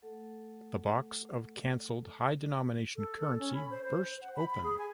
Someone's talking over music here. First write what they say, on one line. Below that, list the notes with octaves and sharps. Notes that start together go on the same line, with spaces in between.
The box of canceled high-denomination currency burst open.
A3 A4 F#5
A4
A4
C#4
B5
C5
C5
C5
F#5
B5
B5
G#4
G#5